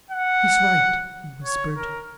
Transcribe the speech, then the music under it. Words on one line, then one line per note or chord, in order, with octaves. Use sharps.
"He's right!" he whispered.
F#5
C#5
A#4